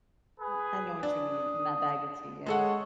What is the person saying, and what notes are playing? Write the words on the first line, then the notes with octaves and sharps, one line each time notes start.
Well, I know what you mean, in that bag of tea, yeah.
G#4 B4
D4 D#6
G#3 A4 C#5 F#5